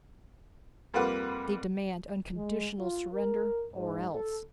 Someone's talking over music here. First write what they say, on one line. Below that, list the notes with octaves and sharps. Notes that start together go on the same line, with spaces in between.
They demand unconditional surrender, or else.
F2 G3 A#3 F4 B4 F#5
G#3
F4
A#4
G#2
A4